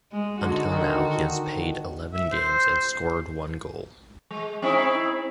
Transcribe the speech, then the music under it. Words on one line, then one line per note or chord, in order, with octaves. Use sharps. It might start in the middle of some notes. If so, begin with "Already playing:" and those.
Until now, he has payed eleven games and scored one goal.
G#3
D3 G#3 D#4 F#4
D3 D#3
E5
C5
G#3
C4 D#4 E4